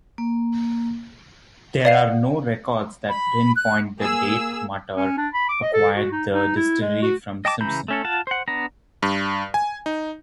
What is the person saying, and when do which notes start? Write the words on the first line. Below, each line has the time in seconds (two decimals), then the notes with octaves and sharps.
There are no records that pinpoint the date Mutter acquired the distillery from Simpson.
0.18 A#3
1.85 D5 F5 C7
3.08 B5
3.56 F#6
4.00 A#3 G#4 E6
4.96 C#4
5.18 D4
5.34 B5
5.49 D6
5.62 D#5
5.73 A4
5.96 F#4
6.12 D#4
6.32 D#4
6.56 E4
6.82 G#3
7.02 F#4
7.45 D#5 G5 A5 D6
7.61 C#3 E3 A#5 B5 G6
7.88 A3 C#4 A4
8.05 F4 F#5 A5
8.27 C5 F#5
8.48 B3 D4 A#5
9.03 G2
9.54 G#5
9.86 D#4